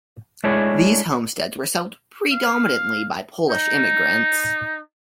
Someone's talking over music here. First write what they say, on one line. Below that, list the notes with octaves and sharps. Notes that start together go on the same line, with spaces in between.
These homesteads were settled predominantly by Polish immigrants.
G#3 A3 D4 E4 G#4 C#5
F5
D#4